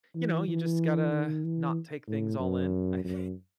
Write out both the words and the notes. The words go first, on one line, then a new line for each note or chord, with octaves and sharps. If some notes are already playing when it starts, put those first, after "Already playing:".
you know, you just gotta not take things all-in. I thi
E3
E3
D#3
E3
A2
F#2
F#2